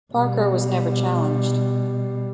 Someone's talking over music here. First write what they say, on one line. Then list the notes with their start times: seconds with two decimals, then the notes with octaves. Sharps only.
Parker was never challenged.
0.13 B2 G3